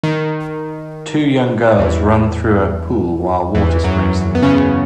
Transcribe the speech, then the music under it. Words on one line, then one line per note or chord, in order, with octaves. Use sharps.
Two young girls run through a pool while water sprays them.
D#3
E2 E3
E2 E3
F#2 F#3
B3
C#3 C#4